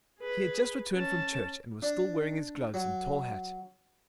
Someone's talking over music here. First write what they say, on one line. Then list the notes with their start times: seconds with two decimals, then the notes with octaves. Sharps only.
He had just returned from Church, and was still wearing his gloves and tall hat.
0.19 G#4 B4
0.95 C#4 A5
1.82 D4
2.74 F#3